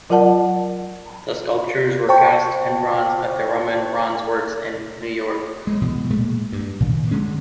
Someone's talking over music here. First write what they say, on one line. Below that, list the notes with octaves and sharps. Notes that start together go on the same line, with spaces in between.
The sculptures were cast in bronze at the Roman Bronze Works in New York.
F#3 F4 A#4 D5 F#5 A5
C5 G5 A5 C#6
G#3
B2 E3
A#2 G#3 A3
G2
A#2 D#3
D3 E3 G#3 C#4